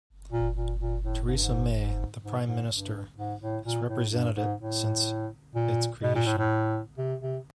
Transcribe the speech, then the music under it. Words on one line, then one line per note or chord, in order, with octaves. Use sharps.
Theresa May, the Prime Minister, has represented it since its creation.
A#2
A#2
A#2
A2
G#2
G2
G#2
G#2
G#2
G#2
G2
G#2
A2
A#2
A2
G2
G#2
A2
A#2
B2
A#2
A2
A2
C3
C3